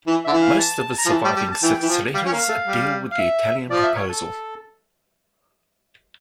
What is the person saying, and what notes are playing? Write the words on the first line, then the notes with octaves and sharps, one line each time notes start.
Most of his surviving six letters deal with the Italian proposal.
E3
D3 E5
E3
F5
A5
A#5
F3
E3 A5
G3
G3
A5
E3 G5
E3
F3
G3 F5
C#4 G5
A#3 F5
A3
G3
F5
E5
F3 D5
E5
C#5
A4